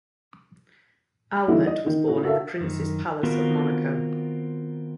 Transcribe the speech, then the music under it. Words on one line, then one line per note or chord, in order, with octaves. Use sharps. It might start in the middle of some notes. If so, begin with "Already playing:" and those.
Albert was born in the Prince's Palace of Monaco.
D3 E3 G3 D#4 E4 F#4
D#5
D#3
A2 F#4
F#4 A4 A#4 E5 F5
F#2 D#3
D#3 B3 C4 F4 F#4 A#4